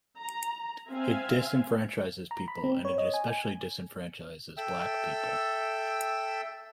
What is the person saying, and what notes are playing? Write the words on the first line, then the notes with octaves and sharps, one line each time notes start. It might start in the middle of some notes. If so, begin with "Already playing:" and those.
It disenfranchises people and it especially disenfranchises black people.
A#5
C4 E5 F5 G#5
A#5
B5
C4
C#5
D#5
G#5
G#5
A4 E5 G5 E6